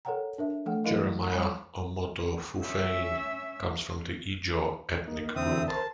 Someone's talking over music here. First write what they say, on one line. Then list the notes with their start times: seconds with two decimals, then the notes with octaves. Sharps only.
Jeremiah Omoto Fufeyin comes from the Ijaw ethnic group.
0.05 A4 A#4 C#5 F#5 G5 A#5
0.38 D4 A#4 E5
0.66 F3 A3 A4 F#5 G5
0.84 E3 F#3 E4 A#4 D#5 F5
1.31 G3 C#5 G#5 B5
2.60 C#4 E5
5.08 A#3 D#4
5.36 E2 D3 C4 E5 D#6
5.68 A#4 C5 A5